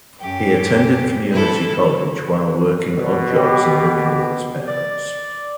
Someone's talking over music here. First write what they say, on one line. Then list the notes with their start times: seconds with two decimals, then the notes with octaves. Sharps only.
He attended community college, while working odd jobs and living with his parents.
0.19 F#2 G4
1.30 C3 E3 E4 A4
2.95 B2
3.36 G4
4.67 D5